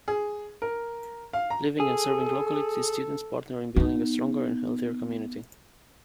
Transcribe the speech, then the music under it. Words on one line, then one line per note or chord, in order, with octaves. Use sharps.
Living and serving locally, these students partner in building a stronger and healthier community.
G#4
A#4
F5
A#5
G#4 A4
B3 D#4